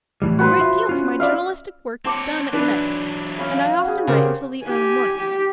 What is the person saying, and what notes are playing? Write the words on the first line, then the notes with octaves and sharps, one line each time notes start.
A great deal of my journalistic work is done at night, and I often write until the early morning.
A2 E3 G3
F#4 B4 C5
F4 E5
C#4 F4
D5 E5 F5
C4 C#5 A5 D6
E3 F#3 D4 B4
C#4 F5 B5
F#4 G#4
C#3 G4 A#4 C5
G4 G#5
G4